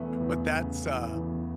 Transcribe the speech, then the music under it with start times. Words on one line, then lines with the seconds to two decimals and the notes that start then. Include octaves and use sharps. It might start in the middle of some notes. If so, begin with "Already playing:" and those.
but that's, uh
Already playing: E2 C#3 E3 A3 B3
0.20 E2
0.52 C#3
0.83 E3
1.15 E2